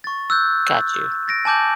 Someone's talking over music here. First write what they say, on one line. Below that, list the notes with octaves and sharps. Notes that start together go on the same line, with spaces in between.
Got you.
C#6 A6
E6 F#6 G6
A6 A#6 D7
G#5 A5 D6 G6 F#7